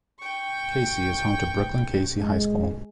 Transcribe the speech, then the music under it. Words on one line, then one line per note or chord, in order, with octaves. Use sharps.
Cayce is home to Brookland-Cayce High School.
G5 C#6
G#3